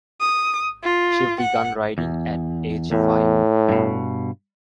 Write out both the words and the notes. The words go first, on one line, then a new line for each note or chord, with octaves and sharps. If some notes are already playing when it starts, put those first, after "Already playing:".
She began riding at age five.
D#6
F4
F#5
E2
E2 A2
G2 B2